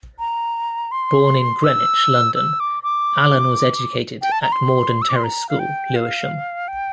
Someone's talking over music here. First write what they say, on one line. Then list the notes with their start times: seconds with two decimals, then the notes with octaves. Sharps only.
Born in Greenwich, London, Alan was educated at Morden Terrace School, Lewisham.
0.19 A#5
0.92 C6
1.64 E6
2.35 E6
2.60 D6
2.83 D6
4.22 G5
4.32 A5
4.42 A#5
4.52 C6
5.02 E6
5.09 D6
5.16 C6
5.24 A#5
5.49 F5
5.59 G5
5.96 F5
6.68 G5